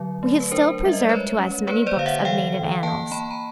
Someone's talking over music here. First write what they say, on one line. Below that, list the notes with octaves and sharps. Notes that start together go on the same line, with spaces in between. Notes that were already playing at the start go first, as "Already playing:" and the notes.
We have still preserved to us many books of native Annals.
Already playing: D3 F#3
A3
B4
D4 A#4 C5
G3 E5
D#5
D5
G#3 B4 C#5
C#4
A#3 B4 C#5
C5 D5
D3 F5
E5 F#5
E3 F5 G5
E3
A#3 G5 A5
A#3 A5 B5
A#5